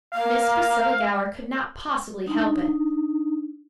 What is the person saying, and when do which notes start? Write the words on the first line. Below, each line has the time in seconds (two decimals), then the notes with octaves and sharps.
"Miss Priscilla Gower could not possibly help it."
0.14 A#3 F5
2.26 D4 D#4